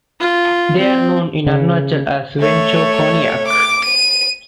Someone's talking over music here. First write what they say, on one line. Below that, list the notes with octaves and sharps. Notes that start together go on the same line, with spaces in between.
They are known in Arunachal as Wancho Konyak.
F4
C4
C#3
A3 C#5
D6
D#7